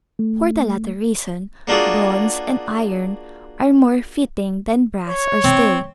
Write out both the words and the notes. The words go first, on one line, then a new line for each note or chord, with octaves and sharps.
For the latter reason, bronze and iron are more fitting than brass or steel.
A3
A#3 D4 F4 F#4 G#4
C#5
C4